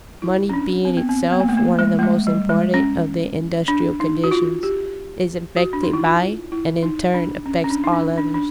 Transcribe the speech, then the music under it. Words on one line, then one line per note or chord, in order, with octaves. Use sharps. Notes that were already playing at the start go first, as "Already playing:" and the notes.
Money being itself one of the most important of the industrial conditions, is affected by and in turn affects all others.
E4
C#4
D4
C4
B3
C4
B3
A#3
A3
A#3
G#3
A3
G#3
G3
G#3
C#4
D4
D#4
F#4
F4
G4
F#4
D4
D#4
E4
F4
E4
D#4
D4
C#4
C#4
D4
D#4
D4
D4
D4